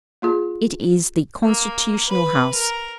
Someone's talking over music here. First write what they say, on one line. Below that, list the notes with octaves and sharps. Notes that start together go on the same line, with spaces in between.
It is the constitutional House.
A#3 F4 G#4
A#3
B4
A#4